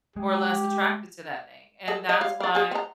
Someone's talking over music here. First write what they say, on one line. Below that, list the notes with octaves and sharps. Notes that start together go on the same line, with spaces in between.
or less attracted to that thing, and that's why
G#3 G4
G3 G#4 A4
D#5
G3 C#5 F5
D5 F5
G#4 G#5
C4 A#5